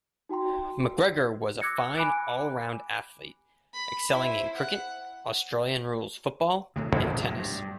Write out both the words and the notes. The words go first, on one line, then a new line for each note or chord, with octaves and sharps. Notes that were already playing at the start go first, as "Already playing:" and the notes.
McGregor was a fine all-round athlete, excelling in cricket, Australian rules football, and tennis.
D#4 F#4 G5 A#5 C6
D6 E6 F#6 G#6 A#6 C#7
G#5 B5 D6 F#6 D7
B5
E4 C5
F#5
D1 A2 C3
F2 A2 D#3 F#3
A#1 C3
A2 F#3
G2